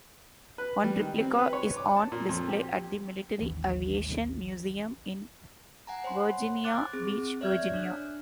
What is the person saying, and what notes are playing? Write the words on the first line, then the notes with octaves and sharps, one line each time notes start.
One Replica is on display at the Military Aviation Museum in Virginia Beach, Virginia.
B4
G3
D#3
C4
B4
C#5
D6
A5
A#2
F2
G4
A1 D#2 E3
F#5 G#5 A#5
C5 C#5 F#5 B5 C6
D6 F#6 A6
C4 G#4
C#5 D5 E5 F6 G6 G#6
D4 F#6